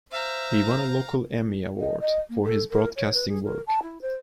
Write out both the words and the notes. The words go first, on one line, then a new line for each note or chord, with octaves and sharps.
He won a local Emmy Award for his broadcasting work.
C5 E5 F5 A#5
D#5
D#5
A#3
A4
A#4
C#5
B4
G#4
A#4
A5
E4
C5